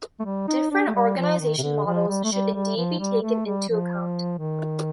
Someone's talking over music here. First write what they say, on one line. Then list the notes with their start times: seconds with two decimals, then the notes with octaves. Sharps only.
Different organization models should indeed be taken into account.
0.20 A3
0.25 G3
0.48 D#4
0.71 D4
0.88 A3
0.95 G3
1.18 F3
1.40 D#3
1.58 C3
1.62 D3
1.86 F3
2.08 G3
2.24 A3
2.32 G3
2.54 G3
2.77 F3
3.00 G3
3.23 A3
3.47 G3
3.69 F3
4.38 D#3